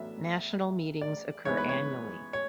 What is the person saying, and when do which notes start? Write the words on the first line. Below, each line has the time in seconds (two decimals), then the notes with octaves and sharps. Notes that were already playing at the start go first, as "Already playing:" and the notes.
National meetings occur annually.
Already playing: A1 A2 F#3 B3 D4 E5
1.01 D5
1.45 G#2 E3 G#3 B3 C#5
1.57 B4
1.69 C#5
2.33 C#5